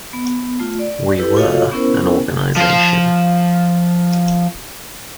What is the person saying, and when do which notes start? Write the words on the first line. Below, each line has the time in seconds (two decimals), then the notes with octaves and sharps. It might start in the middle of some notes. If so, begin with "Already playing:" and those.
We were an organization.
0.13 B3
0.60 A3 F4
0.79 D5
1.18 E4 G4 A4 B4
1.36 F4 F#4 A4 C#5 D#5 F5
1.72 B3 C#4 E4 A#4 C5
2.57 F3 C5